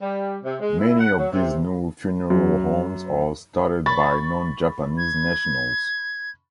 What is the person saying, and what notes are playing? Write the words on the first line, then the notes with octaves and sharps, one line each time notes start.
Many of these new funeral homes are started by non-Japanese nationals.
G3
C3
G#3
E4
F#5
F#3
C3
F#2
B5 C#6 A6
G#6